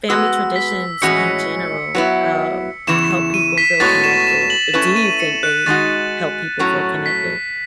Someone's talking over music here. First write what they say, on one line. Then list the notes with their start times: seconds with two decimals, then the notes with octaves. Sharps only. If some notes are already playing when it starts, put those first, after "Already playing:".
family traditions in general, um, help people feel connected, or do you think they help people feel connected?
0.09 G#3 B3 F#4 B4 E6
0.56 B6
1.02 A2 E3 G#3 C#4 F#4 C#7
1.95 F#3 B3 E4
2.87 E2 C#3 E3 E7
3.11 E7
3.34 D#7
3.58 B6
3.80 A2 G#3 B3 F#4 C#5 A6
4.04 E7
4.27 E7
4.50 F#7
4.73 A3 C#4 E4 B4 E7
4.96 D#7
5.20 C#7
5.43 F#6
5.66 D#3 G#3 D#4 F#4 A6
6.59 A2 F#3 C#4
7.06 B6